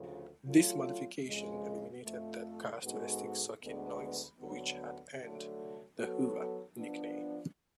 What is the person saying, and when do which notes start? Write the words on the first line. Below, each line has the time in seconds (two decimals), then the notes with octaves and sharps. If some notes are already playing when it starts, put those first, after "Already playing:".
This modification eliminated the characteristic "sucking" noise which had earned the "Hoover" nickname.
Already playing: D2 C#3 F3
0.44 F#3 A3 F4
1.24 F2 C#3 G#3
2.03 F2 F3 A3
2.81 G#2 G#3 B3 F#4 A4
3.61 D2 D3 G#3 B3 D4
4.39 D2 D3 F#3 B3
5.18 D3 F#3 A3
5.97 F#3 B3 F#4 A4
6.76 F3 B3 D4